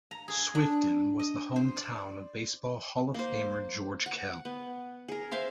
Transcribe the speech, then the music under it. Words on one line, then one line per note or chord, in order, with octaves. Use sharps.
Swifton was the hometown of Baseball Hall of Famer George Kell.
A#5
G#4
D4
D#5
C5
D5
A#3 C5
F#5
B3
G#4 A#4
C5 E5 F5 C6